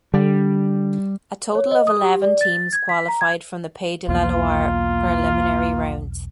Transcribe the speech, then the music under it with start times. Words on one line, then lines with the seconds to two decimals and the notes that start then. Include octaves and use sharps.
A total of eleven teams qualified from the Pays de la Loire preliminary rounds.
0.14 D3 G3
1.55 C#5
1.71 D#5
1.87 D#6
2.02 G4
2.22 D5
2.41 A6
2.73 G#6
2.89 B6
3.08 A#5
3.21 G#6
4.09 B1 E2 A#3 F4